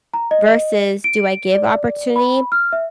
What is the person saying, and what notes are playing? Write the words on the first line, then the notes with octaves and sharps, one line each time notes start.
versus do I give opportunity,
A#5
D#5
D7
D5
B5
F6
E5